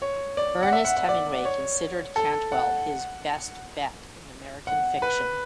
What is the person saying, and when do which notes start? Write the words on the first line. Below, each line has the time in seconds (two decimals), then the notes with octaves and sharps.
Ernest Hemingway considered Cantwell "his best bet" in American fiction.
0.02 C#5
0.37 D5
0.63 F#5
0.73 E5
0.85 F#5
0.97 F#5
1.09 D5
1.45 C#5
2.16 A4
2.52 F#5
4.67 F#5
5.02 B4